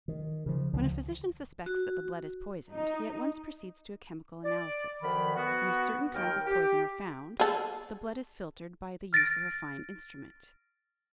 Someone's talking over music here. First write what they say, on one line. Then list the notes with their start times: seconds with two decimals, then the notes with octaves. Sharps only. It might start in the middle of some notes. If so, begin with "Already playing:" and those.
When a physician suspects that the blood is poisoned he at once proceeds to a chemical analysis, and if certain kinds of poison are found, the blood is filtered by the use of a fine instrument.
0.08 D#3
0.46 C#3 F3
0.73 C#2 D3 E3 F3
1.66 F#4
2.73 D#4
4.45 D5
5.02 F#2 D3 D#3 F3 B5
5.35 B3 F#4
6.14 D#2 A#4 G5
6.45 G4
7.40 G#4 A4
9.13 F6 A6 A#6 D7